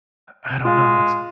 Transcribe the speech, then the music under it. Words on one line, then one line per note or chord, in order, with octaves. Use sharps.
I don't know. It's
G#3 F4